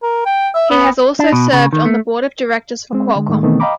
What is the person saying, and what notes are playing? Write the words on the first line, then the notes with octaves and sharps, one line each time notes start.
He has also served on the board of directors for Qualcomm.
A#4
G5
E5
B3
D4
B2
C#3
D#3
A3
G#3 C4
D3 G#3
A2 D#3 G#3 A3
B2 D#3 E3 A3 B3 C4
D#5 F5 G5 A#5 B5 D6